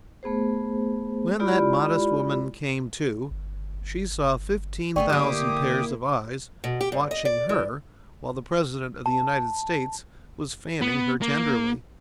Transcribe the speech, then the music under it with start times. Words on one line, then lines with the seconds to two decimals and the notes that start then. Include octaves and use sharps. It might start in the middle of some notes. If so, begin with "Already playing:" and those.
When that modest woman "came to," she saw fifteen thousand pairs of eyes watching her while the President of the United States was fanning her tenderly.
0.23 A3 B3 G#4 C5
1.39 G#3 E4 F4 G4 D5 B5
3.31 G1
4.96 G1 A3 B3 G#4 D5 G5 C#6
5.09 D3 A#3 E4 G4 D6 D#6
6.64 B2
6.81 G4
6.92 G2
7.11 D#5
7.25 D5
7.49 E3
9.06 A5
10.81 B3
11.22 A#3